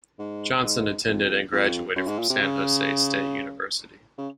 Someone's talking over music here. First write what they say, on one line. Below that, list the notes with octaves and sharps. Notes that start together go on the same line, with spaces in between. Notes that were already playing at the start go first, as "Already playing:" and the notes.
Johnson attended and graduated from San Jose State University.
G#2
G#2
F2
F2
F#2
G#2
A#2
C3
C#3
C#3